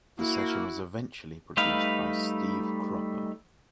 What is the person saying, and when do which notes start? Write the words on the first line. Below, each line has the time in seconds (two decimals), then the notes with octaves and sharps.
The session was eventually produced by Steve Cropper.
0.19 A#3 E4 F#4
1.57 G3 A3 D#4 B4 F5